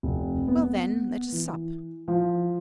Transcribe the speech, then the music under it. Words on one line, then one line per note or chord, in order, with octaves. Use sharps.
"Well, then, let us sup."
F1
B3
E3
F3